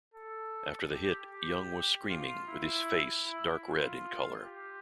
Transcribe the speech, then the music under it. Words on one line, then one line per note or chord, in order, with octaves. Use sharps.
After the hit, Young was screaming with his face dark red in color.
A4
G4
G4
F4
E4
E4
F4
G4